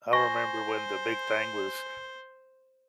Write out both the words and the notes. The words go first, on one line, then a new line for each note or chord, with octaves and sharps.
I remember when the big thing was
C5 G#5 C#6 A#6